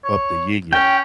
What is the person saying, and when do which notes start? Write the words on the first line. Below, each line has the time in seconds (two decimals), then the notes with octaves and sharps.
up the ying-yang.
0.04 C#5
0.73 C#4 G5